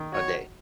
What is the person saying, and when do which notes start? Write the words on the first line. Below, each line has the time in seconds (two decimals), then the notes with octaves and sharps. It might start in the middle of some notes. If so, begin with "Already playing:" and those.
a day."
Already playing: D#3
0.12 F#4 C#5